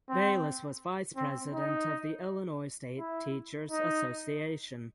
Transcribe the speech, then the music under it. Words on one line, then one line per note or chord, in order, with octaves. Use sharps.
Bayliss was vice president of the Illinois State Teachers Association.
C4
C4
D#4
E4
D#4